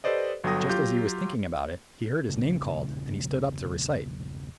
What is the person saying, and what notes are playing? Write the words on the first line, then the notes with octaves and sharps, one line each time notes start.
Just as he was thinking about it, he heard his name called, and he stood up to recite.
G4 A4 B4 C5 D5 D#5
G1 F#3 A4 G5 D#6 A#6
F#3 F4 G4 G6
E1 A#1 C#3